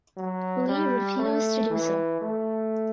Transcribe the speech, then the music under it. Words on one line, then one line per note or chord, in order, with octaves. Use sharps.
Li refused to do so.
F#3
G3
A3
E3
A3